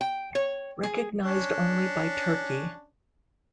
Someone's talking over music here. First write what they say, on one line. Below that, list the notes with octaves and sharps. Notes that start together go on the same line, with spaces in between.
Recognized only by Turkey.
G5
C#5
G#4
C#4 D4 C#5